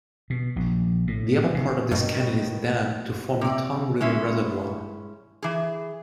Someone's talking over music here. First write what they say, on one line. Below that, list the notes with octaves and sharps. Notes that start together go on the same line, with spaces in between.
The upper part of this canyon is dammed to form the Tongue River Reservoir.
B2
A#1
A2
C3
G2 B2 D#3 F3
C3 D5
G#3 C#4 E4
E3 G#4